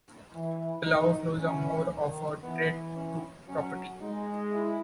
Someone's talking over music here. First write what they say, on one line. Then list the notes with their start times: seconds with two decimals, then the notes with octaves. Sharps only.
The lava flows are more of a threat to property.
0.34 E3
0.86 D#3 D#4
1.38 E3 C#4
1.90 D#3
2.43 E3 B3
2.96 C#4
3.48 F#3 C#4
4.00 G#3 D#4
4.53 E4